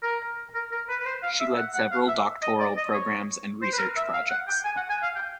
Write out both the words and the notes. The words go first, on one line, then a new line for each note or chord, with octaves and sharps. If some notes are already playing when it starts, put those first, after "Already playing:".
She led several doctoral programmes and research projects.
A#4
A#4
A#4
B4
B4
C5
F5
E5
F#5
F#5
F5
E5
D#5
D5
D#5
C#5
C5
B4
A#4
E5
F5
F#5
G5
G#5
F#5
G#5
F5
G5